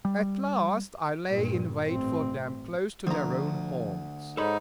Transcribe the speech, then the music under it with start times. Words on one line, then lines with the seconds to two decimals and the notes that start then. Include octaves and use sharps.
At last I lay in wait for them close to their own haunts.
0.05 G3
1.28 G2 A#2
1.87 A1 C4
3.07 D2 F3 A#5
4.37 G#2 D#4 A4 C#5 B5